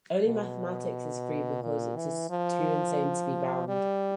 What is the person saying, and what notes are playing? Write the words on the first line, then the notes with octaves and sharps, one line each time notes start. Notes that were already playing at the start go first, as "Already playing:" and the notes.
Only mathematics is free, because it is too insane to be bound.
B2
A#2
E3
F3
G3